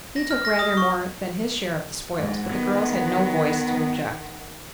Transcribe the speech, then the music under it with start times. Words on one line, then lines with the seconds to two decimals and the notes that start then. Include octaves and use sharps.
He took rather more than his share of the spoils, but the girls had no voice to object.
0.16 A#6
0.31 F6
0.45 A#6
0.59 D#6
0.77 C#6
2.18 G#2 F#5
2.51 D#3 B3